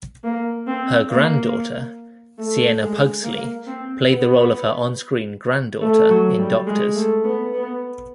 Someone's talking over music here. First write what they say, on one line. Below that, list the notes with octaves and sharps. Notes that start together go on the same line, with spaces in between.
Her granddaughter, Siena Pugsley, played the role of her on-screen granddaughter in "Doctors".
A#3
C4
A#3
A3
G#3
A#3
C4
B3
A3
F#3
G3
G#3
A3
B3
B3